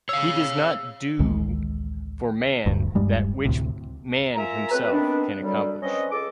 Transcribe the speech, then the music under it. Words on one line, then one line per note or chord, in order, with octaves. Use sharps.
He does not do for man that which man himself can accomplish.
C#5 F5 E6
A1 D2 D#3 G#3
D1 D2 G2
D#1 G2 G3 G#3
D2 A2 C3
F4 A#4 E5 G#5 A#5
F#3 A3 C4 B4
D#3 B3 C4 D4
F#2 D3 F#3 G3
C4 C#4 B4 D#5
C#2 A4 D6